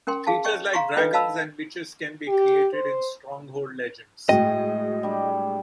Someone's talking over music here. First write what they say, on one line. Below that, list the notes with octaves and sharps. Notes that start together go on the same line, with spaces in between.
Creatures like dragons and witches can be created in Stronghold Legends.
C#4 A#4 G5 C6
G#4 F5 A5
C#5 D#5 G5 C#6
F5 A#5 C6 C#6
D4 F4 A4 B4 D#5
D#5 F5 A5 B5 E6
G4
C5
A2 F#3 G#3 D#5 G5
G3 D4